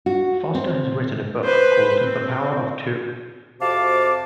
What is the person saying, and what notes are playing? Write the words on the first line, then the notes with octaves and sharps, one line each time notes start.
Foster has written a book called "The Power Of Two".
F#4
C4
B4 C5
C4
F2 C3 F#4 F5 A5 D6